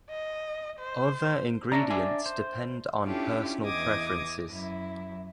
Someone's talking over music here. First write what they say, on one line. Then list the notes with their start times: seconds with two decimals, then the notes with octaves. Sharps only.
Other ingredients depend on personal preferences.
0.10 D#5
0.79 C5
1.72 C#4 D4 E5 A#5
1.90 D5 E5 G#5
2.26 C5
3.05 C#4 D4 E4 F4 G4 A4
3.65 E2 E3 D#5 D6 D#6 G#6
4.49 F#2 E4